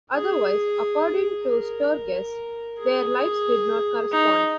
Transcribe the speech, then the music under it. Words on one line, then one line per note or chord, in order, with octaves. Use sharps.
Otherwise, according to Sturges, their lives did not correspond.
G#4
A#4
G#4
D#4